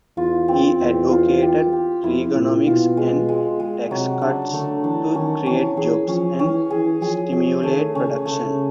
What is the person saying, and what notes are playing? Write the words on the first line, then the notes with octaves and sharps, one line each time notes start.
He advocated "Reaganomics" and tax cuts to create jobs and stimulate production.
E2 F4
C4
E2 C4
F4
G4
G4
F2 E4
A#2 E4
B2 F4
G#3
G#3
G#3
C3 F#3
C#3 D4
D3 A3
E3 D4
D#3 C#4
E3 C#4
E3 G#4
F3 C#4
E3 C#4
E3 G#4
F3 G#4
F3 G#4
D#3 A3
C#3 C#4
C#3 A3